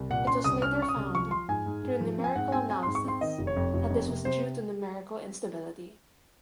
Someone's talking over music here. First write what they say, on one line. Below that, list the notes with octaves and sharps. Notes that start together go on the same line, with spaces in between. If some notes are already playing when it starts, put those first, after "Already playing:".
It was later found, through numerical analysis, that this was due to numerical instability.
Already playing: C2
A#2 F#5
C#4 C6
C2 D#6
C#4 F6
C#4 C#6
D#6
C2
F3 C#6
F3 C6
G#2 G#5
G#2
G#2
F3
C4
G#5
G#2 F#5
C4 G#5
C4 G#5
G#2 C6
C#6
C4 C6
D#3 D#5
F1
C#5
F2
F1
F2
C3
C3 C5